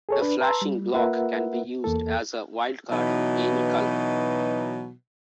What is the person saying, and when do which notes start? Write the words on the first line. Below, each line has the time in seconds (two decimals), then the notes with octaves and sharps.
A flashing block can be used as a wildcard on any colour.
0.09 G#4 A4 C#5
0.22 D4 B4
0.40 B4 A5 A#5 C6 E6
0.62 G3
0.94 A#3 F4 A#4 B4 E5 F#5
1.84 E2 A#3 A4
2.91 B2 E3 F#3 D#4